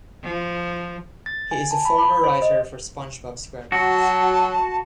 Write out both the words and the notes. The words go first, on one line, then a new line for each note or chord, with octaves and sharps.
He is a former writer for "SpongeBob SquarePants".
F3
A6
G#5
A5
B5
B5
C5
D#5
F#3 F#4 A5